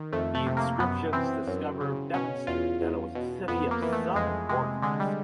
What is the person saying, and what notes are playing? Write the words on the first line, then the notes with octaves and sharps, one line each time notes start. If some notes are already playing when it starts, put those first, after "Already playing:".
The inscriptions discovered demonstrate that it was a city of some importance.
Already playing: D#3
F2 A3
A3
C3
A#3
F#2 B3
E3 C4
F#2
C#3
B2 C#4
E2 F4
E2
B2
F2 B3
A#3
E3
A3
F2 G#3
C3 G#3
D3 G#3
G3